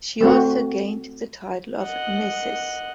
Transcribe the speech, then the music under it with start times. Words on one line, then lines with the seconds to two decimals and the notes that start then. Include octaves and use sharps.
She also gained the title of Mrs.
0.21 A3 C4 F#4
1.82 D#5 F#5